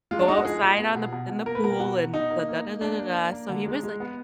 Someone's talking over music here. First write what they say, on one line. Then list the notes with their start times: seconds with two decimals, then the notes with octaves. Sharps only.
go outside on the in the pool and the da da da da da," so he was, like,
0.11 G#3 F4
0.19 D4
0.28 G#3 D#4
0.37 F#4
0.45 F3 G#4
0.61 A#2
0.78 B3
0.95 B2
1.12 B2
1.29 B2
1.46 A#3 A#4
1.55 B4
1.63 B2 A#4
1.80 B2 F#4
1.98 B2
2.13 B2 D#4
2.30 A#3
2.48 A#3
2.65 A#3
2.81 A#3 D4
2.99 A#3
3.16 A#3
3.32 A#3
3.49 D3
3.66 G#3
3.83 G#3
4.00 B3